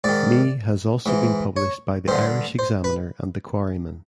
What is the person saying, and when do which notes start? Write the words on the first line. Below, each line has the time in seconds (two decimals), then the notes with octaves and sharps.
Mee has also been published by the "Irish Examiner" and "The Quarryman".
0.04 G#2 D#3 D5
1.06 G#2 E3
1.57 C#5
2.08 G2 D3 C5
2.59 C5
2.84 B4